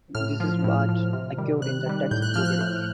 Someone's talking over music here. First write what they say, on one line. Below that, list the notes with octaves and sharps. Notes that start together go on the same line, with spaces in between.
This is what occurred in the Dutch Republic.
A2 F6
F3
A2
F3
C3
D#3 G3
C3 F#6
D#3 G3
A2 G6
F#6
F3 F6
F#6
A2